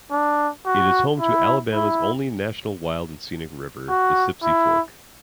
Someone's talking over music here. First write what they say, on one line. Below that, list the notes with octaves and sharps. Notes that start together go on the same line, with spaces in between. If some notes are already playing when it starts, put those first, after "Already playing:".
It is home to Alabama's only National Wild and Scenic River, the Sipsey Fork.
D4
F#4
E4
E4
F#4
E4